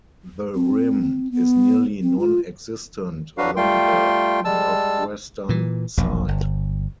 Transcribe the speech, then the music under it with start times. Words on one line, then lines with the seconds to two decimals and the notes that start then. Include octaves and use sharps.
The rim is nearly non-existent along the northwestern side.
0.55 C4
1.31 B3
2.02 C4
2.19 F4
3.38 F#3 D4 F#4 B4 F5
3.56 G3 A3 F4 G5 C6
4.45 G3 G#3 A5 E6
5.49 A#2 E3
5.97 E1 A#1 F2
6.28 G1